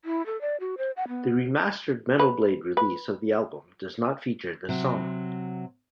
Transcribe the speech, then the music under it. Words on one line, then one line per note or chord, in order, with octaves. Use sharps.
The remastered Metal Blade release of the album does not feature this song.
E4
A4
D5
F#4
C5
F#5
B3
B4
B4
C3 F#3